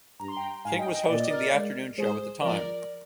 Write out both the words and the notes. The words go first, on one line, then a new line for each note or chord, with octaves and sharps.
King was hosting the afternoon show at the time.
G2 A#5
C6
G5 A#5
G#2 F5 G#5
D#5 G5
D#5 G5
A#2 D5
D#5
A#4 D5
G#3
G#3 G#4 C5
F3 A#4 D5